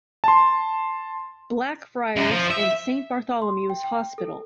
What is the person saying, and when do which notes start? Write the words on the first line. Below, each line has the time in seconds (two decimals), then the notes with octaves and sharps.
Blackfriars and Saint Bartholomew's Hospital.
0.24 A5 C6
2.16 F#2
2.30 F3
2.51 E5
3.42 C6
3.70 G5
3.84 G5
4.18 A4